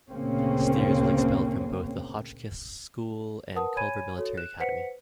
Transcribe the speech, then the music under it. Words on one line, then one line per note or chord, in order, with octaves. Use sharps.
Steers was expelled from both the Hotchkiss School and Culver Military Academy.
D2 A#2 C#3 A#3 C4 C#4
A#4 B4 F#5 A5 D#6
C#5 G#5 B5 G#6 D#7
F#4 A4 C#5
F#6 E7
B4 C5 F#5 B6 C#7